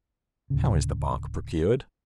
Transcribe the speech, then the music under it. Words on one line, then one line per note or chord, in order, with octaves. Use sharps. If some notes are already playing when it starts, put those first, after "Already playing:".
How is the bark procured?
D1 C#3